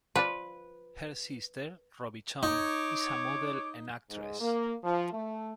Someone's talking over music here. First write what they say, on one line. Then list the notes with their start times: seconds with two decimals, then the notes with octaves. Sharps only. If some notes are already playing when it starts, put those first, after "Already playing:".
Her sister Robbi Chong is a model and actress.
0.16 F3 F4 B4 D5
2.43 D#4 C#5 D6
4.10 G#2
4.40 A#3
4.84 F3
5.12 A3